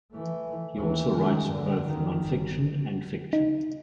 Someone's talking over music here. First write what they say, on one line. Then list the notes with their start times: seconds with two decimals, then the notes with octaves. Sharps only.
He also writes both non fiction and fiction.
0.12 E3 A3
0.76 D#2 E3
1.14 D#3 G#3
1.48 G2 D3
1.85 D#3
2.22 G1
3.33 D#4